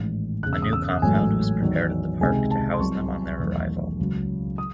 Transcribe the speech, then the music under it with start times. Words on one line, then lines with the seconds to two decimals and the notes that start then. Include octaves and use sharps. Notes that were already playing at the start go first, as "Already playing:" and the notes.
A new compound was prepared at the park to house them on their arrival.
Already playing: A1 G#2 D#3
0.42 E1 E2 C#3 F#6
0.53 E6
0.62 D#6
0.73 E6
1.02 A1 G#2 F#3 A3 G#5
1.61 E2 D#3 F#3
2.20 C#2 C3 D#3 G#3 G#5
2.51 A5
2.74 C6
2.80 C2 C3 F#3 C#6
3.39 E1 E2 D#3 F#3 A3
3.99 C#2 C#3 F#3
4.58 D#6